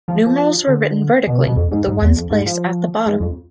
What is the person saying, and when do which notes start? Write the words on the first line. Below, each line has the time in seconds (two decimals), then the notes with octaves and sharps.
Numerals were written vertically, with the ones place at the bottom.
0.08 F3
0.26 F3
0.67 D3
1.27 B2
1.37 C3
1.47 B2
1.56 F2
1.71 G#2
1.87 G#2
2.02 E2
2.16 F2
2.31 G#2
2.46 F3
3.06 G#2
3.20 F2